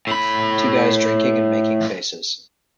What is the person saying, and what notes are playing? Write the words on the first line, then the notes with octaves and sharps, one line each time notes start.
Two guys drinking and making faces.
A2 B5